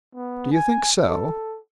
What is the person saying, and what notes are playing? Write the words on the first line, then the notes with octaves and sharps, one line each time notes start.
"Do you think so?"
B3
G#5
A4